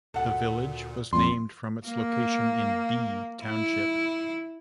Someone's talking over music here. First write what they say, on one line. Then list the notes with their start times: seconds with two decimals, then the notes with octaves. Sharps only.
The village was named from its location in B Township.
0.14 D2 A#2 A4 F#5
1.13 D#1 F2 G3 F4 C6
1.86 A#3
3.44 E4